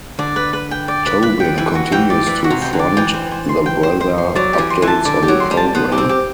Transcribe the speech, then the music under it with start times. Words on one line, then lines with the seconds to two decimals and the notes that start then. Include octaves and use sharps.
Tobin continues to front the weather updates on the programme.
0.19 D3 D5
0.36 B4
0.53 B4
0.71 G5
0.88 D5
1.06 B4
1.22 B4
1.40 G5
1.58 E3 B4
1.75 F#4
1.92 E3 G5
2.10 D5
2.27 E3 B4
2.44 F#4
2.51 C3
2.62 G5
2.73 D3
2.79 D5
2.97 E3 G5
3.14 C5
3.31 C5
3.49 C6
3.66 G5
3.83 C5
4.00 C5
4.18 C6
4.35 F#3 D5
4.53 G4
4.58 E3
4.70 C6
4.82 E3
4.87 A5
5.05 D3 D5
5.22 G4
5.28 F#3
5.40 C6
5.51 G3
5.57 A5
5.75 B3 C5
5.92 G4
5.98 C4
6.09 G4